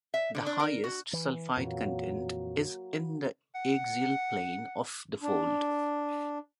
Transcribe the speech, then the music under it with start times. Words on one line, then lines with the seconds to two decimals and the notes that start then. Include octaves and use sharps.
The highest sulfide content is in the axial plane of the fold.
0.14 E5
0.35 D3
0.46 D4
0.59 A#4
0.84 F#4
1.13 E3
1.56 F2 A#2 E3 F#3 A#3
3.55 F#5
5.22 D4